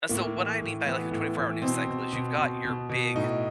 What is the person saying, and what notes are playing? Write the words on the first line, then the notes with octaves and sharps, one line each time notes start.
s so, what I mean by like a twenty-four-hour news cycle is you've got your big
A2 A#3
E3
A2
E3 B3
A2
E3
B2 C4
B2
B2
B2
B2
B2
A2 D#4